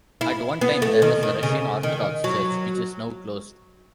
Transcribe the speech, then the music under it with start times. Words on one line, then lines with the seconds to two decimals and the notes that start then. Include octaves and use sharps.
At one time there was a Russian Orthodox church which is now closed.
0.21 E4
0.61 B3
0.82 A3
1.02 D#3
1.23 D#3
1.43 C#3
1.83 D#3
2.24 F#3